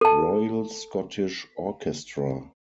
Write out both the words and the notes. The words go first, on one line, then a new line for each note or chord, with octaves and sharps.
Royal Scottish Orchestra.
A4 A5